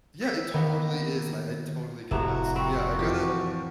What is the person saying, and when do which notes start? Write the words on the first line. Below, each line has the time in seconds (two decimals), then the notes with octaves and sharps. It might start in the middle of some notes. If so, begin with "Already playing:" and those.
yeah, it totally is. And I I totally get that. So yeah, I gotta
0.21 E6 A#6 B6
0.54 D#3 A#3 B3
2.11 F1 A2 C3 E4 F#4 B4 A#5
2.56 C4 F#4 G5 A#5 B5 C#6
2.99 E3 F3 G4